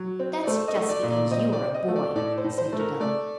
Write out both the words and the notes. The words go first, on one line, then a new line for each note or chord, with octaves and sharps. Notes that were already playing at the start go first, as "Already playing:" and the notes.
"That's just because you are a boy," sniffed Adela.
Already playing: F#3
C4
D5
A3 C5
D#5
A3
D5
A#2
D5
C4 D#5
D5
C4
D#5
A3
D5
A2 D5
C5
A2
C5
A3
A#4
A3 D5